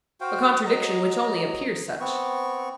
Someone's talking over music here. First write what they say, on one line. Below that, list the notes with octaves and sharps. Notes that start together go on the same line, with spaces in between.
A contradiction which only appears such.
F#4 C5 F5 G5
F#3 D#5 A#5
B3 C4 C#6